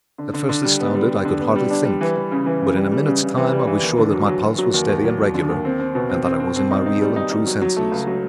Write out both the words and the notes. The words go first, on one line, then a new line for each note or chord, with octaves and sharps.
At first astounded, I could hardly think, but in a minute's time I was sure that my pulse was steady and regular, and that I was in my real and true senses.
D3
D3
D3
G3
B3
G3
G3
D3
B3
G3
D4
G3
E3
E3
C#3
E3
C#3
G3
G3
C#3
C#3
E3
G3
E3
D#2
D3
F#3
F#3
F#3
F#3
D#2
D#2
F#3
F#3
D3
D#2
C4
C4
B2
C4
C4
C4
C4
D#4
D#4
G3
D#4
D#4
F#3
F#3
A3
C#2
F#3